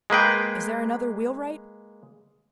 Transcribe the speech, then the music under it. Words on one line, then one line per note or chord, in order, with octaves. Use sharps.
"Is there another wheelwright?"
G#3 A#3 B4 G5